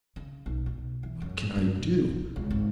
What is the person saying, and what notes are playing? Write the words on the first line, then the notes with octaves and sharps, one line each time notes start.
What can I do?
C#3
B1
B2
E3
F#2
A#3
B1
C#2
G#1